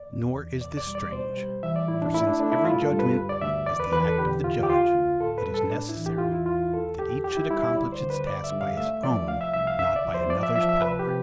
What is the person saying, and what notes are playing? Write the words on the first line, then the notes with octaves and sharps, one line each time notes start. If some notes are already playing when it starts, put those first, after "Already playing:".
Nor is this strange; for since every judgment is the act of the judge, it is necessary that each should accomplish its task by its own, not by another's power.'
Already playing: D2 D5
E2
E2
B2 D5
D5
G3
D5
B2 C5
G3
E3 E5
D5
A2 E4
D4
A3 E4
D4
A3 D4
E4
G2 F4
A4
G2
B4
D2
D5
D2 E5
E2 D5
B4
E2 B4
A4
D3 G4
F2 F4
G4
D2 F4
D2
A2 A4
B4
G3
A4
A2 D4
E4
E3
G4
E2 F4
E4
E2 F4
D2 A4
D2 G4
G2 G4
E4
G3 E4
E4
D2 D5
C5
D3
B4
G2 D5
E5
G2
F5
A3 E5
F3 D5
C2 F5
E5
C2 E5
F5
D2 E5
D5
F3
C5
F3 D5
E5
F3 E5
E5
C3 B4
G4
C3